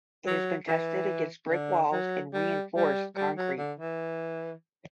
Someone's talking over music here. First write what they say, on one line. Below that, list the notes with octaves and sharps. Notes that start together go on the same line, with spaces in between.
It has been tested against brick walls and reinforced concrete.
F#3
E3
D3
F#3
G3
G3
G3
F#3
D3
E3